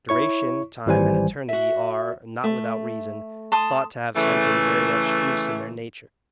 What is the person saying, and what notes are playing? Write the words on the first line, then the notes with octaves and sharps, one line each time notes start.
Duration, time, and eternity, are, not without reason, thought to have something very abstruse in their nature.
E4 C#5 C#6
G#1 E3 G3 C5 G#5
F#4 E5
A3
A5 C6 D#6
C#3 E3 A3